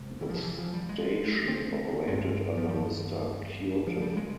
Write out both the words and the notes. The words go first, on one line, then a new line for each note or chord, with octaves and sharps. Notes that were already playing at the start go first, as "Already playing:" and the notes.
The station operated under Mr. Cureton.
Already playing: E2 C3 G#3
E3
F3
E3
F3
G3
G#3
C4
G2 G#3
F3
G3
F3
G3
G#3